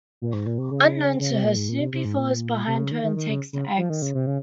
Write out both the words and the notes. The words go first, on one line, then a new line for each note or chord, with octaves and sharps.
Unknown to her, Snoopy follows behind her and takes the eggs.
A#2
G#2
A#2
C3
C#3
C#3
C3
A#2
G#2
A#2
C3
C3
G#2
A#2
C3
C#3
D#3
D#3
D#3
C#3
C#3
F3
D#3
C#3
C3
C#3